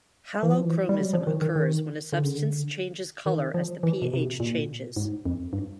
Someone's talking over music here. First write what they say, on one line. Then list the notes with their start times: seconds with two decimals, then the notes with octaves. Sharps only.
Halochromism occurs when a substance changes color as the pH changes.
0.43 E3
0.53 F3
0.65 E3
0.89 G3
0.99 F#3
1.13 F3
1.27 D#3
1.42 D#3
1.56 D#3
2.13 D3
2.24 C#3
2.37 D3
3.26 D#3
3.54 F3
3.83 E3
4.02 B2
4.14 C3
4.20 B2
4.40 A#2
4.96 G#2
5.25 F2
5.53 G2